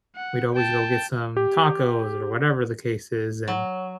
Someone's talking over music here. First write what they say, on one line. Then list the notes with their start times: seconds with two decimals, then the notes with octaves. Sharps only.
we'd always go get some tacos, or whatever the case is, and,
0.16 F#5
0.55 G5 A5
1.37 G4
3.48 F#3